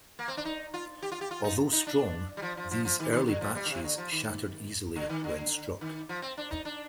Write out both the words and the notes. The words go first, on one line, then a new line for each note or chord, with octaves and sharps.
Although strong, these early batches shattered easily when struck.
A#3
C4
D4
D#4
F4
G4
F4
G4
F4
D#4
D#4
D4
G3
F3
F3
F3
F3
D#3
D#3
D3
F3
G3
D3
C3
D3
F3
D#3
D3
D#3
D3
D#3
F3
C4
D4
D#4
D4